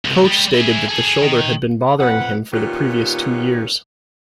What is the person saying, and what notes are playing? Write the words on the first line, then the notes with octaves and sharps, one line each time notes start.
Coach stated that the shoulder had been bothering him for the previous two years.
C#2 C3
G3 G#3
E4 G#4
G#4 A4
D#3
F2 B4 F#5
A#2 D#3 B3 C#4 F4 G4